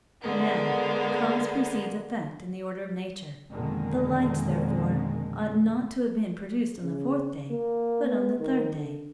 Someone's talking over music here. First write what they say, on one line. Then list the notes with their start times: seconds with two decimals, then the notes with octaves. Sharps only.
Now, cause precedes effect in the order of nature. The lights, therefore, ought not to have been produced on the fourth day, but on the third day.
0.21 D3 G#3 A#3 B3
3.52 F2 B2 D3 D#3 G#3 A#3
6.83 C#3
7.50 A#3
8.06 B3
8.40 D#3
8.74 D3